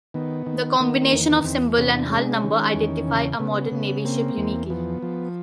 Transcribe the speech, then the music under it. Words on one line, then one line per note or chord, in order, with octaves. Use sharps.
The combination of symbol and hull number identify a modern Navy ship uniquely.
D#3 B3
D#3
D#3 A#3
A#3
E2
B3
E2 C4
C3 C#4
D4
G#3 C#4
D4
C#4
D#3
E2
C#3
C#3 B3
C#3
A#3 C4
E2
F3 B3
F3